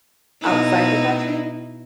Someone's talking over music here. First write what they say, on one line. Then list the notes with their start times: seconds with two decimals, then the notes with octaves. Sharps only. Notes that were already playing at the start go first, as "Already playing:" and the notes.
outside the country?
0.41 B2 D#4 E4